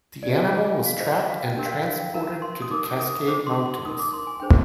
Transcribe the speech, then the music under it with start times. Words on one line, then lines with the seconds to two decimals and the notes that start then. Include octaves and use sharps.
The animal was trapped and transported to the Cascade mountains.
0.23 D5
0.29 D#5
0.37 F5
0.43 D#4 G#4 C5 G5
0.58 G#5
0.72 G5
0.86 F5
1.00 F4 C5 D#5
1.15 D#5
1.28 F5
1.43 G5
1.57 D4 G4 A#4 G5
1.66 F5
1.72 G5
1.85 F5
2.00 G5
2.14 D#4 A#4 A#5
2.42 C6
2.62 D#6
2.71 D#4 A#4 D6
2.99 D#6
3.28 D4 F4 C5 D6
3.47 C6
3.66 C6
3.85 D#4 A#4 D#6
3.99 D6
4.13 C6
4.27 G#5
4.40 D4 G#4 C5 G5